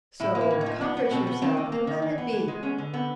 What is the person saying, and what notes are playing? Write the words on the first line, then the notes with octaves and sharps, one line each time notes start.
So comfort yourself, and let it be!
A2 E4
A#3
E4
A2
D#4
F3
B3 D4
B3
B2 C4
B3
D#3 C4
A#3
A#3
D#3
E3
B3
E3
G#3
B3 C#4
D3
B3 C4